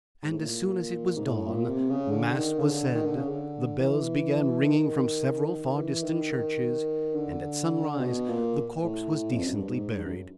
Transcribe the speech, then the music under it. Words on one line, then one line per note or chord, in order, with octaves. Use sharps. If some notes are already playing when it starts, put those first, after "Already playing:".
And as soon as it was dawn mass was said; the bells began ringing from several far-distant churches; and at sunrise the corpse was decently buried.
G#2
A2
A#2
G#2
A2
A#2
C3
C#3
D3
D#3
C#3
D3
D#3
D3
C#3
D3
E3
D#3
D#3
E3
D#3
D#3
D3
B2
A#2
A2
F2
F#2
G2
G#2
G2
F#2